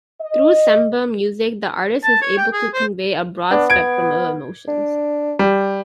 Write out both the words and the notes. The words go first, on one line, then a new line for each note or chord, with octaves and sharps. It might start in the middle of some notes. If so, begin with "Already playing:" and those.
Through Semba music, the artist is able to convey a broad spectrum of emotions.
D#5
A5
C#5
G5
G#4
C5
B3 D4
G#6 D7
D4
G3